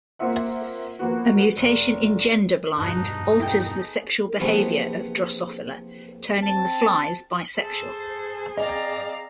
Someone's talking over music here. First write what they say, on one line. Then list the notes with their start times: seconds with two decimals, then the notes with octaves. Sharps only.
A mutation in Genderblind alters the sexual behavior of "Drosophila", turning the flies bisexual.
0.19 A#3 C4 F4 E5 F#5
0.99 F3 A#3 B3 F#4
1.57 F1 E7
2.77 E2 G2 B2 D#4 A5 F#6
3.40 B3 E4 G#4 A4 G5
4.40 A#1 C3 E3 B3 A4 G#5
6.43 C4 A5
7.57 G#4 A4 C5
8.57 C4 D5 D#5 F5 A#5